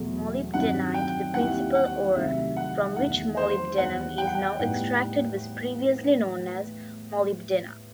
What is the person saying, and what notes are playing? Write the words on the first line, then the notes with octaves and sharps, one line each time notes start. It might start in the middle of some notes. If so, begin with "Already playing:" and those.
Molybdenite-the principal ore from which molybdenum is now extracted-was previously known as molybdena.
Already playing: E2 B2 F#3 A3
G2 D#3 F#3 C4 D#4 F#5
G5
D#2 D#3 G3 C4 E4 F#5
F#5
C2 C3 D#3 F#3 A3 E5
F#5
E2 D#3 A3 D#4 F#5
C5
E2 D#3 G3 F#5
G5
F#5
G5
A2 G3 B3 D#4 F#5